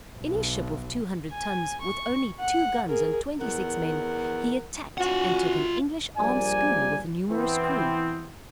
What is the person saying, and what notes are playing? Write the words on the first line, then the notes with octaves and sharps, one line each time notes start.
In his ship of two hundred tons, with only two guns and twenty-six men, he attacked and took an English armed schooner with a numerous crew.
B1
G#5
C#6
F#5
G#4 A#4
E2 A#4 F#5
C#4 F4 F#4 F#5
A#1 G3 A#3 D5 G#5
E3 B3 C4